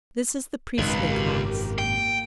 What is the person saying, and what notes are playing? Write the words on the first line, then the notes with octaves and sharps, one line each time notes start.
This is the priestly class.
G#1 C#2 F#2 B2 D#4 B4
F3 G4 A#4
A#3 G5